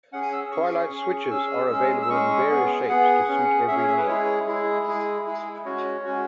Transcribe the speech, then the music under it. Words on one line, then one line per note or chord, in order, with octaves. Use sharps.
Twilight switches are available in various shapes to suit every need.
C#4 G#4 F#5
G#5
E6
C#4 G#4 C#6
C#4 G#4
C#6
C#4 G#4 E6
G#3 C#4 G#4
E6
G#3 C#4 G#4 C#6
B3 G#4
B3 G#4 F#5
C#4 G#4
C#4 G#4 E5
C#5
E5
B4
G#3 E4 G#4 C#5
G#3 E4 G#4
G#3 E4 G#4
G#3 E4 G#4
G#4
G#3 C#4 F#4 C#5
G#3 C#4 F#4